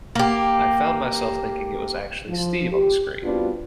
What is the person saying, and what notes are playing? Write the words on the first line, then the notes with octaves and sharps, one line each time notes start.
I found myself thinking it was actually Steve on the screen.
A#3 G4
F3
G4
G3 B3 C4 D4 F4 F#4